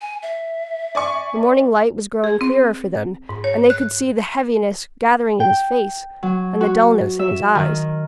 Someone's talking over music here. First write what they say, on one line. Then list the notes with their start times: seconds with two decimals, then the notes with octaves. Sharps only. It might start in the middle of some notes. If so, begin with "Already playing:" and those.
The morning light was growing clearer for them, and they could see the heaviness gathering in his face, and the dulness in his eyes.
0.01 G#5
0.22 E5
0.95 D5 G#5 C#6
2.24 G#4
2.41 C4
3.29 G#2
3.44 C#5
3.70 F#6
5.40 G5
6.23 F#3
6.61 F#4
7.19 E5
7.55 D#3